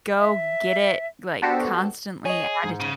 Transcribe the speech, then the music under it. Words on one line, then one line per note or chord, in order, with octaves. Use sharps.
go get it, like, constantly added,
E5
B3 D4 F#4 G4 A4 C5
G#4 C#5 D#5
G#2
C#3